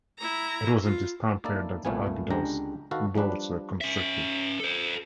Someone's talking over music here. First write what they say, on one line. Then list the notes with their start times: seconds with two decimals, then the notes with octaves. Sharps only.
It was in this time period that the Abydos boats were constructed.
0.18 E4 A#5
0.83 F4
1.45 A#3 D#4 E4 A4 D5
1.85 C2 A#2 A3 B3 F5 G#5
2.30 C#2 D3 G#3 D4 G4 A#5
2.91 D#3 F#4 A4 B4 F5
3.15 F3 G3 D4 B4
3.81 C#4 E5
4.60 A4 C5